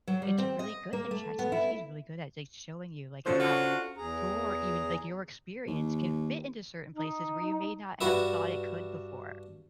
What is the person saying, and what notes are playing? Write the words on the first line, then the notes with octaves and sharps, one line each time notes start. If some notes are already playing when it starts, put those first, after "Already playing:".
it's really good like, ChatGPT is really good at, like, showing you, like, how your, even like, your experience can fit into certain places where you may not have thought it could before.
F#3
G3
C4
D#5
A#3
A3
B3
E4
B2 D3 F3 C#4 A4 C5
D4 F4 F#4
E2 G#4 A#5
D#2
D#4
G2 F#4 B4 E5